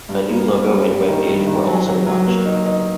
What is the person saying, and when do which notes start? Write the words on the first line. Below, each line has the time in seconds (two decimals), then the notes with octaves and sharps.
A new logo and webpage were also launched.
0.09 G2
0.29 A#3
0.48 G2
0.69 G3
0.88 G2
1.08 D#3
1.28 G2
1.47 D#3
1.67 F#3
1.87 F#3
2.07 F#3
2.27 A#3
2.46 D#4
2.66 D#4